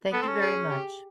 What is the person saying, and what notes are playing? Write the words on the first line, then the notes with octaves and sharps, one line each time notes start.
Thank you very much.
B3 A4
C4
C#4
G#4
G4